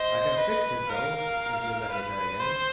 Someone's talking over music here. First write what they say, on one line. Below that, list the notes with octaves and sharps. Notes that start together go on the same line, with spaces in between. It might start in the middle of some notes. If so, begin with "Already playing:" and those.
I can fix it, though, if you'll let me try again.
Already playing: C5 D#5
B4
A#4 F5
A#4
B4
C5